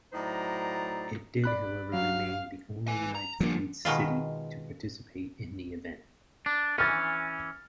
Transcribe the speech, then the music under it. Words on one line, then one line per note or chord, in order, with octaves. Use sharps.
It did, however, remain the only United States city to participate in the event.
A2 F#3 D#4 C5 D5 A#5
D5 B5 F#6
F#3 F5
B4 G#5
A#5
G2 D3 F3 A#3
B2 D#3 G#3 F4
D4
E3 C#4 F6 A6